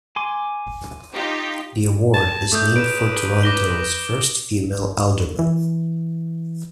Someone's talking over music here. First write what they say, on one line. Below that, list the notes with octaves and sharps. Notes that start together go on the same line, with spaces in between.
The award is named for Toronto's first female alderman.
G#5 C6 D6
D#4 F4 G4
A5
A3 D6 D#6 G6
B4 D7 E7
D6 A#6 G7
E3